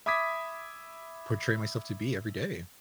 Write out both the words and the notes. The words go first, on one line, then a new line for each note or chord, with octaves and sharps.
portray myself to be every day.
E5 B5 D6 D#6 G#6 B6